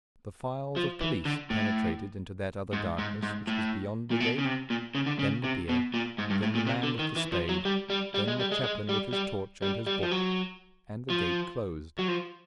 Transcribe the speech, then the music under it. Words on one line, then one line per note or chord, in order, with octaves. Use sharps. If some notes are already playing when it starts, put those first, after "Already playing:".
The files of police penetrated into that other darkness which was beyond the gate; then the bier; then the man with the spade; then the chaplain with his torch and his book, and the gate closed.
F3
E3
D3
A2
G#2
G#2
G#2
A2
A#2
B2
C#3
C3
A#2
C#3
D3
C#3
C3
B2
A#2
G#2
G2
A2
A#2
C3
D3
D#3
E3
F3
F#3
G3
G3
G3
G#3
G3
G#3
G#3
G3
G3
G3
G3
F3
F#3
F3
F#3
F3